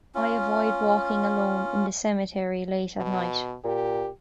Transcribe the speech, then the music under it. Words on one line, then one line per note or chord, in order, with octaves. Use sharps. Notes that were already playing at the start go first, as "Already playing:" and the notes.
I avoid walking alone in the cemetary late at night.
C#4 F4
B2
A#2 G4